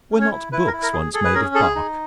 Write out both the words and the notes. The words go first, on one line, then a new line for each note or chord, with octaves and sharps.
Were not books once made of Bark?
C#4
C#5
E4
E4 B4
A#4
E4
A#4
G#4
G#4 A4
B4
C#4 A#4
G#4 A4
D#4